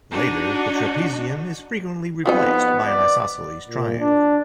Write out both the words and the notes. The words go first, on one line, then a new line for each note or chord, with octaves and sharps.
Later, the trapezium is frequently replaced by an isosceles triangle.
D4 D#4 F#4
F3 B3 C4 D#4
D5
A#2
D4